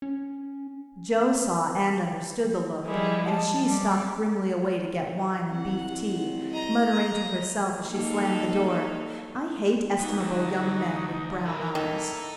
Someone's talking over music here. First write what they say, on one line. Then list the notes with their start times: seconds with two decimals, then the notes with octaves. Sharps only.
Jo saw and understood the look, and she stalked grimly away to get wine and beef tea, muttering to herself as she slammed the door, "I hate estimable young men with brown eyes!"
0.02 C#4
2.84 F3 G3 G#3 E4
3.27 A5
3.64 G3 D5
5.51 C2 F#5
6.51 D#5 A#5
7.89 A#3 D#4 A4
9.99 E3 B3 D#4 F#4
10.19 D2
11.45 A#2 E3 A#4
11.75 D#3 A#3 E4 A4 D#5 A#5